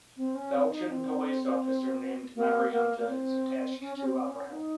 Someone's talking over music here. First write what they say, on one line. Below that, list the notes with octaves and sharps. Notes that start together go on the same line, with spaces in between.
Belgian police officer named Marianka is attached to Avraham.
C4
C#4
C4
D#4
C4
A#3
A#3
A#3
C4
C#4
C#4
C4
C#4
C#4
D#4